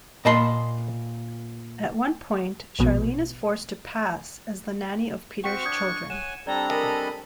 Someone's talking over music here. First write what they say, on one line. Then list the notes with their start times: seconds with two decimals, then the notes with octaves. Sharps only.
At one point, Charlene is forced to "pass" as the nanny of Peter's children.
0.25 A#2 D#5 A5 B5 C6
2.79 A#1 B2
5.44 C4 F#4 C5 G5 C#6 B6
5.65 D4 D#6 G6 G#6
6.10 C#5 F#5 G#5 E7
6.47 G3 C4 D4 A4 D5 A#5
6.70 A4 A#4 D#5 G#5 B5